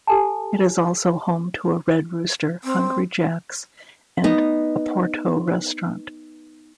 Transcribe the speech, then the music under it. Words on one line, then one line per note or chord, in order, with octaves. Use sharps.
It is also home to a Red Rooster, Hungry Jacks and Oporto Restaurant.
G4 A4 G#5 A5
C4
B3 D#4